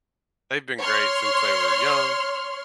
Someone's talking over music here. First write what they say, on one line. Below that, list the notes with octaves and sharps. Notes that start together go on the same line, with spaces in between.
they've been great since they were young
C#5 C6 F6